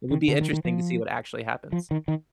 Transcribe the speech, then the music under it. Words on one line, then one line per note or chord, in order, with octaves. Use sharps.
it would be interesting to see what actually happens.
D#3
D3
D#3
D#3
F3
F3
D#3
D#3